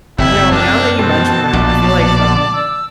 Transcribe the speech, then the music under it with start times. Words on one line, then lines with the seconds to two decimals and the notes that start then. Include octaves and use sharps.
you know, now that you mentioned that, I feel like, um
0.18 F#1 F2 C3 E4
0.52 F#2 D4 A5
0.99 B2 C4
1.53 A#1 D5
2.53 E6